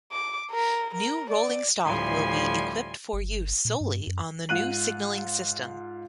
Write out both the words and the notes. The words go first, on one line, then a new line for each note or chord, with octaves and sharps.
New rolling stock will be equipped for use solely on the new signalling system.
D6
A#4
A#4
D5
D2 A2 F3 G3 G#5 C6
G1
A#2
G2
F#2
G#2 F4 F#6 D#7 F#7